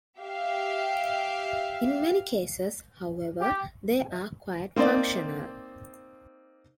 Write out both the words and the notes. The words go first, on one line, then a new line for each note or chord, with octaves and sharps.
In many cases however, they are quite functional.
G4 E5 F5
G4
A#3 C4 D#4 C5 D5